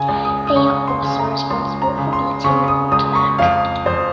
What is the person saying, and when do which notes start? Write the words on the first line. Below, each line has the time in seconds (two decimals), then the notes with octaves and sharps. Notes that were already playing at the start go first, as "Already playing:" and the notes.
They are also responsible for blitzing the quarterback.
Already playing: C#3 G#5
0.08 C#2
0.25 D#6
0.47 D#6
0.56 C#3 C#6
0.88 C6
1.03 C#3
1.19 A#5
1.50 C#2 C6
1.82 A#5
1.97 C#3
2.13 C6
2.44 C#3 C#6
2.68 D#6
2.92 C#2 D#6
3.15 C#6
3.38 F2 F5
3.86 F2 C5